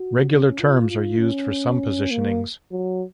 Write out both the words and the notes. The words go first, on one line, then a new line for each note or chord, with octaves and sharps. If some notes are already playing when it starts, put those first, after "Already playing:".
Regular terms are used for some positionings.
Already playing: F#4
C#4
F4
F4
C#4
A#3
F#3